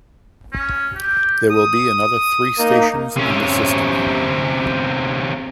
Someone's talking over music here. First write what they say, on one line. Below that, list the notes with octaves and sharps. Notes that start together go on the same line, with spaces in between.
There will be another three stations in the system.
C#4
G4
D#6
A#3 D#4
C3 C#4